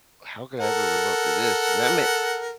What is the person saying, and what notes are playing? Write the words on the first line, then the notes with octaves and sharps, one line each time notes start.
how could I ever live up to this? That ma
A4 A#4 F#5